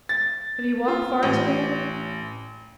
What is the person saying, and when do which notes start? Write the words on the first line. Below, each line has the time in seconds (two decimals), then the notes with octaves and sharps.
"Have you walked far to-day?"
0.09 A6
0.88 F4
1.23 A1